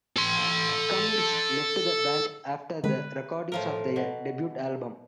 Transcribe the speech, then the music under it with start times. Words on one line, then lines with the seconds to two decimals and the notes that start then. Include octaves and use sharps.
Cummings left the band after the recording of their debut album !
0.17 A4 C6
2.84 D3 D#3 G#3 B4
3.52 A2 F3 A#4
3.96 B2